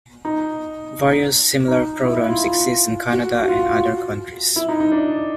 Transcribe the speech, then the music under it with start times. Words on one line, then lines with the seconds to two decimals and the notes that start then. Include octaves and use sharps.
Various, similar programs exist in Canada and other countries.
0.25 D#4
1.68 D#4
2.04 E4
2.16 E4
2.29 F4
3.13 F#4
3.43 F#4
3.48 F4
4.56 E4
4.69 D#4
4.80 D#4
4.92 D4